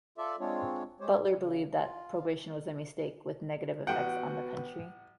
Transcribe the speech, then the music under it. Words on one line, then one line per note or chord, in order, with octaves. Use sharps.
Butler believed that Prohibition was a mistake, with negative effects on the country.
F4 A4 D5 E5
G#3 C4 D4 F4 C#5
G#3 G4 C5 C#5
G3
C#3
F4
A1 B3 F#4 F#5 G5